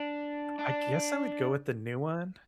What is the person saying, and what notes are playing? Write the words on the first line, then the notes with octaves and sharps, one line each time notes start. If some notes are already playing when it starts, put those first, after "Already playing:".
I guess I would go with the new one.
Already playing: D4
D4